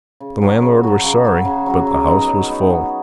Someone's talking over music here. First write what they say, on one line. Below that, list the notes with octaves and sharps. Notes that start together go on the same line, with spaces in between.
The landlord was sorry, but the house was full.
C#3
F#3 C#4 F#4
C#3
F#3 C#4 F#4
C#3
F#3 C#4 F#4
C#3
F#3 C#4 F#4
F#3
B3 D#4
F#3
B3 D#4
F#3